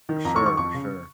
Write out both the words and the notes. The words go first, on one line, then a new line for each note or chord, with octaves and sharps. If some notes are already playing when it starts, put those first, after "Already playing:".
For sure, for sure.
D#3
F2 A#5
C#6
D#3
C#6
F2 C#6
C#3